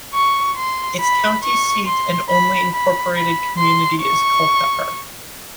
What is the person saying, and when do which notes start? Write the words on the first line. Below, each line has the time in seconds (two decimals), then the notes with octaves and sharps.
Its county seat and only incorporated community is Culpeper.
0.14 C#6
0.56 C6
1.00 B5
1.43 C#6
1.86 C6
2.29 B5
2.72 B5
3.15 B5
3.58 C6
4.01 C#6